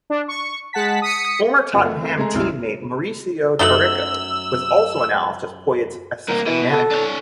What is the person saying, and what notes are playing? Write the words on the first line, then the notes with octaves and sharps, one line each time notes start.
Former Tottenham teammate Mauricio Taricco was also announced as Poyet's assistant manager.
D4
C#6
G#3 F#5 A5 B6
D#6 B6 C#7
F#2 C#3 B3 F4 F#5
A3
A3 A#3 C4
G#3 A3 G#4 A#5
E1 A1 C#3 G#3 E4 F6
F#2 F#3 A3 D#4 E6 F#7 G7
C2 A#3 A#4
B2 E3
A4
D4 C#5